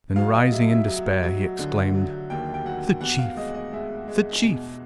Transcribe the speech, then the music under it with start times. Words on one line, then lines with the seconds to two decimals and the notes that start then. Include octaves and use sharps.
Then rising in despair, he exclaimed, "The chief, the chief!"
0.16 F#3 F5
0.34 D#5
0.52 F#3 E5
0.70 E5
0.87 F#3
1.23 F#3
1.59 D3
1.95 F#3
2.30 D#2 G5
2.54 G5
2.65 F#3 F#5
3.01 E2 F#5
3.19 F5
3.36 G#3 D#5
3.55 D#5
3.73 G#3 E5
4.08 G#3
4.44 B2